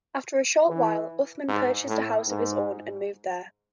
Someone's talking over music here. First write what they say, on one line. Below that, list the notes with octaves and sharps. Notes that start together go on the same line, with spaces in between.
After a short while, Uthman purchased a house of his own and moved there.
E3
G#2
A2
G#2